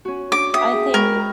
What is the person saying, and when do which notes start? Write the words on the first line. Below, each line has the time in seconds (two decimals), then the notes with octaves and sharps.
I think
0.05 C#4 F#4
0.32 D4 D6
0.54 E5 G5 D#6 B6
0.73 G#4
0.94 G#3 A#4 G5 B5 C#6